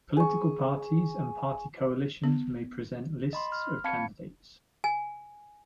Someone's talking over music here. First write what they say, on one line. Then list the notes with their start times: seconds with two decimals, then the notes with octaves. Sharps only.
Political parties and party coalitions may present lists of candidates.
0.17 G#4 C#6
2.24 B3
3.33 D#5 B5 C6
3.52 F6
3.84 C4 F5 A5 B5 G#6 C#7
4.84 G#5